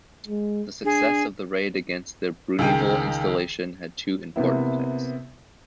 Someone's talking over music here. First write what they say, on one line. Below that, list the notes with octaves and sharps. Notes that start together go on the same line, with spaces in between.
The success of the raid against the Bruneval installation had two important effects.
G#3
D4 G#4
C#2 D#3 G#4 G5
C3 A#3 B3 E4